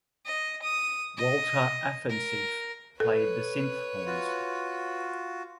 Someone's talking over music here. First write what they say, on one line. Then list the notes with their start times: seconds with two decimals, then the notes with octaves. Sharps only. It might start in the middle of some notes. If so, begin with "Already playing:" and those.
Walter Afanasieff played the synth horns.
0.26 D#5
0.62 D#6
1.17 D#5
2.09 A#4
3.00 A4 B4 C#5
4.06 F4 F#4